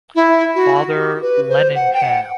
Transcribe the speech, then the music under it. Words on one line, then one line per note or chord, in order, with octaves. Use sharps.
Father Lenihan.
E4
F#4
G4
B4
C5
F#5
G5
F#5